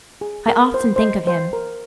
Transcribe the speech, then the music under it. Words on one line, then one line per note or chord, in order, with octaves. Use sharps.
I often think of him.
G#4
A#4
C5
C5
D#5
C5
A#4